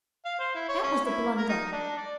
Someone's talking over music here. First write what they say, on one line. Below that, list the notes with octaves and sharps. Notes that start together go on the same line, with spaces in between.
That was the blunder.'
F5
C5
E4
C#5
C#4
E4
A#4
D#4
D4
D5